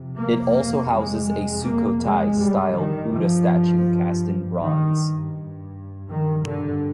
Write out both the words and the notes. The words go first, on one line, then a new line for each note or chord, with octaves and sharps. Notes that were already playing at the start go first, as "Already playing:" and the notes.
It also houses a Sukhothai-style Buddha statue cast in bronze.
Already playing: F2 C3
A#3
A#3
G#3
G#3
A#3
G#3
G2 G3
D#3
F3
D#3
G2
D#3
D3